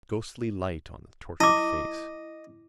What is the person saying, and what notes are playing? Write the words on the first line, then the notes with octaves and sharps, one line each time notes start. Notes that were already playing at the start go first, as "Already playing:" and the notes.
Ghostly light on the tortured face.
E4 D#5 D6